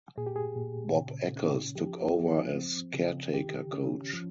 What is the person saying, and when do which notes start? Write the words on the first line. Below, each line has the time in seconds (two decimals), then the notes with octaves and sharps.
Bob Eccles took over as caretaker coach.
0.18 A#2 G#4
0.27 G4
0.36 G#4
0.57 A#2
0.97 C#3
1.36 C#4
1.76 F3 G4
2.15 F3
2.55 C4
2.94 C#3
3.33 D#3 G4
3.73 C#4
4.13 F3